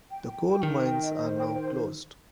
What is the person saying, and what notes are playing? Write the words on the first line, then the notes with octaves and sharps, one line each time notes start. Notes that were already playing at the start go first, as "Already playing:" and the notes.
The coal mines are now closed.
G5
G5
G5
D#3 G5
G5
D#5
C5
G5
C5